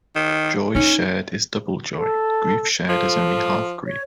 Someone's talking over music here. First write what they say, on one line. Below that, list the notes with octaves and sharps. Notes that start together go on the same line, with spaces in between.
Joy shared is double joy; grief shared is only half grief.
D#3
C#4 D#4
A4
F3 A4
C#5